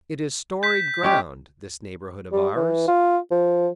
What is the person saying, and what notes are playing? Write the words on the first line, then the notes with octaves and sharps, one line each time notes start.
It is storied ground, this neighborhood of ours.
G6 B6
G#3 C#4 G4
G3
E3
F4
F3